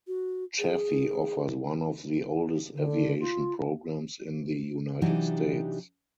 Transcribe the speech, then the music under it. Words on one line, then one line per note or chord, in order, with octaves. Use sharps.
Chaffey offers one of the oldest aviation programs in the United States.
F#4
G#4
D3
F4
C3 E3 F#3 D4 D#4 G4